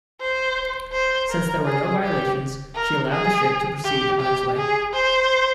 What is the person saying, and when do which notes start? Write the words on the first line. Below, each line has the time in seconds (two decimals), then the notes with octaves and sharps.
Since there were no violations, she allowed the ship to proceed on its way.
0.21 C5
0.92 C5
1.30 A#4
1.65 G#4
2.03 G4
2.75 A#4
3.12 G#4
3.84 G4
4.20 G4
4.57 G#4
4.93 C5